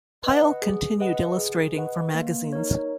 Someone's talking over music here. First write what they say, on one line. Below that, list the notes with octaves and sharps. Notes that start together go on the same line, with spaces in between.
Pyle continued illustrating for magazines.
B4 D#5 F#5
G#4
B4 D#5 F#5
G#4
B4 D#5 F#5
A#3
D#4 A#4 C#5